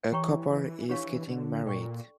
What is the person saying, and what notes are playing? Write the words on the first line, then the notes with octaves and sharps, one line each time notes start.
A couple is getting married.
E3 G4 C#5 G5 A#5 C#6
E3
E3 D4 G4 C#5 F5 C#6
D3
A#2 A4 D5 G5 C#6